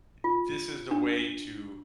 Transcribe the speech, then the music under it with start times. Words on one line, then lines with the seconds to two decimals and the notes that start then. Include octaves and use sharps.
Eh, this is the way to
0.24 F4
0.91 D4